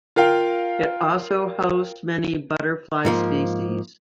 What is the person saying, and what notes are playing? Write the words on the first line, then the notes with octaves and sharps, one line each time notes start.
It also hosts many butterfly species.
F4 A#4 F5 G5
G#2 F3 A#3